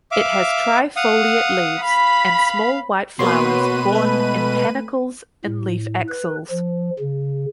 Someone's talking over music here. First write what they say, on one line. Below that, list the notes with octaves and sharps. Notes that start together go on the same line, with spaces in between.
It has trifoliate leaves and small white flowers borne in panicles in leaf axils.
E5 F5 D6
F5 F#5 D#6
F5 B5
B2 A#3 F#4 B4 C#5 C6 D#7
G#3 A3 A4
A2
B4
F3
C#3